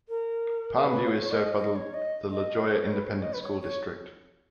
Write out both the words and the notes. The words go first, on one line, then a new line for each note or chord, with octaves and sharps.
Palmview is served by the La Joya Independent School District.
A#4
A#4
B4
C#5
C#5
D#5
D#5
C#5
D#5
D#5
C#5
B4
C#5
D#5
B4
C#5
C#5